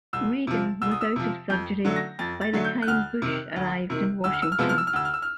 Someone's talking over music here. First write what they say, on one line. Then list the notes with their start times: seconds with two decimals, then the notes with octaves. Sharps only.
Reagan was out of surgery by the time Bush arrived in Washington.
0.13 C2 E6
0.47 C3 F3
0.82 C2 E6
0.91 D#6
1.01 E6
1.16 C3 F3
1.50 F2 G6
1.85 D3 F#3 A3
1.96 A#6
2.19 F2 A6
2.41 A6
2.53 D3 F#3 A3
2.65 G6
2.82 F#6
2.87 D2 F6
3.22 C3 D#3
3.56 D2
3.90 C3 D#3
4.24 D2 E6
4.33 F6
4.42 E6
4.52 F6
4.58 C3 F3 G#3 B3 E6
4.69 F6
4.78 E6
4.87 F6
4.93 D2 E6
5.05 F6
5.14 E6
5.22 F6